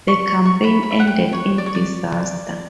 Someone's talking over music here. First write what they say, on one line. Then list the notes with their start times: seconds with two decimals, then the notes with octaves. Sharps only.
The campaign ended in disaster.
0.08 C#6
0.27 C#6
0.45 C#6
0.64 B5
0.83 B5
0.91 E5
1.00 F#5
1.07 G5
1.33 C#5
1.58 D5
1.66 C#5
1.75 D5